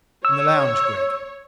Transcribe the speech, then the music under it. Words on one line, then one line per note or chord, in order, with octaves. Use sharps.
"In the lounge, Gregg?"
C#5 E6